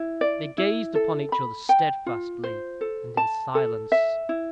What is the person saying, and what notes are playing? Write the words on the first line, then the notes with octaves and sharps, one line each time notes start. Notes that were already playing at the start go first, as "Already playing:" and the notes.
They gazed upon each other steadfastly and in silence.
Already playing: E4
D5
E4
A4
B5
G5
F4
C5
A4
A5
A4
E5
E4